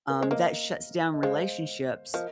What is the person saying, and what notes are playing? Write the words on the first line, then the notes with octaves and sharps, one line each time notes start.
Um, that shuts down relationships
A#4
G#3 C5
A#3 A#4 D#5
D#5
G#3 C5 F5
F3 A#4 D#5